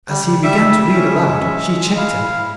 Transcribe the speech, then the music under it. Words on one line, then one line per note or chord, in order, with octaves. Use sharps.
As he began to read aloud she checked him.
G3
G3
G3 E5
G3
G3
C#4
G#3
C#4
G#3
G#3
G#3
E4 F5
E4
E4